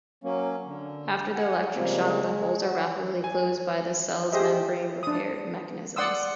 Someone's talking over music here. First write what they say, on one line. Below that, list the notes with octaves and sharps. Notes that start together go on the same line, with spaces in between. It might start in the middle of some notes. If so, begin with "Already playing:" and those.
After the electric shock, the holes are rapidly closed by the cell's membrane-repair mechanisms.
F#3 A#3 C#4
D3
F#5 G#5
C#3 F3 G3 G#3 A#3 C4
G#3
F#4
G#5
G4 G#4 C5 D#5 E5
D4 D#6
D5 F#5 C6 D#6 E6